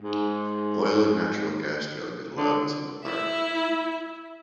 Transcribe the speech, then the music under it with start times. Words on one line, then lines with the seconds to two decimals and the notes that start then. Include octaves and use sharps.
Oil and natural gas drilling is allowed within the park.
0.02 G#2
2.37 D3
3.05 E4 E5